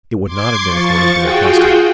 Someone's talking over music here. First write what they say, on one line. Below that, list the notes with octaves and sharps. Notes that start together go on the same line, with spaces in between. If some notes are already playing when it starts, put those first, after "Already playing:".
It would not have been according to their custom.
C6 D6 G#6 C7
F3 C#6 A6
F4 F#4 G#4 G5